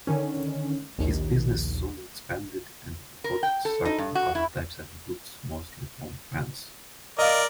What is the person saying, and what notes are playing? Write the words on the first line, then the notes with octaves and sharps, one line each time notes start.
His business soon expanded and imported several other types of goods, mostly from France.
D3 D#3 C#4
A#1 D#2
A#4
G5
A4
D#4
G2
F#4
E4
A#4 D5 D#5 F5